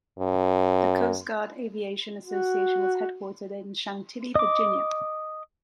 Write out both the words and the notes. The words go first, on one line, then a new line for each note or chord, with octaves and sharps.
The Coast Guard Aviation Association is headquartered in Chantilly, Virginia.
F#2
F#4
D#5 D6